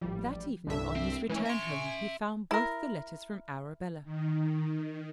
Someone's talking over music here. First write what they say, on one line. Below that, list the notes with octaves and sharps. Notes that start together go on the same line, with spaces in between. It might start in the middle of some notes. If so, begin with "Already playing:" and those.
That evening on his return home he found both the letters from Arabella.
A1 F3 G3
C2 G2 D4 A4 E5
C4
E3 G#3 A3 C#4
E5 G#5 C6 C#6
E4 A#4
D#3